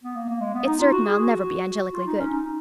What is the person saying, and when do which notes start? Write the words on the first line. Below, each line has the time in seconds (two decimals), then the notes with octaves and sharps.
It's certain I'll never be angelically good.
0.04 B3
0.15 A#3
0.29 A#3
0.41 G#3
0.54 B3
0.66 D#4
0.80 F4
0.92 F#4
1.05 G#4
1.18 F#4
1.93 F4
2.06 D#4
2.19 C#4
2.31 D#4